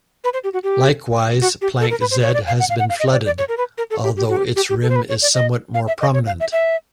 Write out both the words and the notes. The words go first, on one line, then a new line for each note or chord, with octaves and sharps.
Likewise Planck Z has been flooded, although its rim is somewhat more prominent.
B4
C5
G4
F#4
G4
F#4
G4
A4
A#4
B4
C5
C#5
D5
F5
F#5
F5
F#5
F5
D#5
D5
D5
C#5
A#4
B4
A#4
A4
G4
G4
F#4
G4
G4
G4
A4
C5
B4
C#5
D5
D#5
F5
E5
D#5
C#5
F5
E5
E5